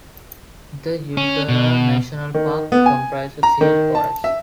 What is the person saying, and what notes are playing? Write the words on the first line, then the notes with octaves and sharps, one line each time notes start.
The Ulidarra National Park comprises huge forests.
C#4
B2
D#3
B3
G#5
A#5
D#3
A5
E5